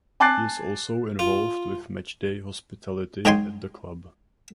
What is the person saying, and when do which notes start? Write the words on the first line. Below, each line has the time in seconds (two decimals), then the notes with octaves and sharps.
He is also involved with matchday hospitality at the club.
0.20 G#5 A5 D6 F#6 A6 C7
1.19 F4
3.25 G#2 D#4 C#5 G5 G#5 C6